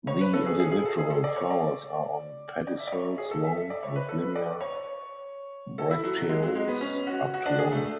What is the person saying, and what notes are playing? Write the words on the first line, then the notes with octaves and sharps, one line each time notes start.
The individual flowers are on pedicels long with linear bracteoles up to long.
C#5
B4
A4
G#4
G#4
G#4
A4
G#4
A4
D5
C#5
D5
D5
E5
D5
C#5
G#4
A4
E5
E5
D5
C#5
B4
A4
B4
D5
C#5
A4
E4
F#3
F#3
G#3
F#3
G#3
B3
C#4
F#4
F#4
D4
G#4
A3